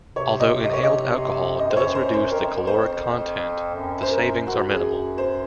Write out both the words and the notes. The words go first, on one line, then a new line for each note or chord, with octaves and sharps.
Although inhaled alcohol does reduce the caloric content, the savings are minimal.
C3 C#5
D#5
D#5
C#5
D#5
F#2 D#5
F2 C5
F#2 C#5
C5
C5
F2 A#4
C5
F#2
C5
A#4
F#2 F#4
G#4
C5